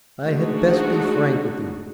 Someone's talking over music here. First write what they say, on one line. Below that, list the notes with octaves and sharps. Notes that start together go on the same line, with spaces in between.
I had best be frank with you.
G#3 A3 D4 D#4 F#4